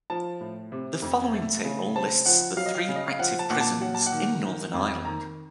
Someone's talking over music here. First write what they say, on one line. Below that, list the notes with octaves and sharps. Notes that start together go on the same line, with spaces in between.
The following table lists the three active prisons in Northern Ireland.
F3 A5
A2
C3
F2
A3
C#3
C4 A5
F3 F#5
F#3 F5
D#5
F5
C#3
D#5
F5
F3 F#5
A5
A#2 F#5
A5
F#3 F#5
A5
F#5
D#3
D#3
F2
D#3 A#5